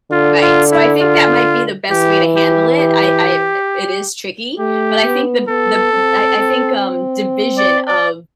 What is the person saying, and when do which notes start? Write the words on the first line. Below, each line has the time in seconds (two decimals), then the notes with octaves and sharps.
Right, so I think that might be the best way to handle it, I I it is tricky, but I think the the I I think, um, division of
0.11 D3 F4
0.42 F4
0.71 E4
1.01 F4
1.91 E3 G4
2.36 G4
2.80 G4
4.59 A3 G4
5.04 B3
5.49 B3 A4
5.94 C4
6.38 C4
7.58 D5
7.87 D5